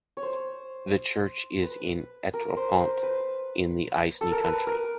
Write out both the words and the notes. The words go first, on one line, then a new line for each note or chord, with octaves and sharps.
The church is in Étréaupont, in the Aisne county.
C#5
C5
B4
A#4
C5
C5
B4
A4
A#4
B4
A#4